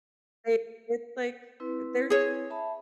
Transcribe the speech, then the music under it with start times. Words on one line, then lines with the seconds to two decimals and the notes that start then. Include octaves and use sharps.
they it's like, uh, they're, t
1.60 C4 E4 B4
2.10 G#4 C#5
2.50 E5 A5 B5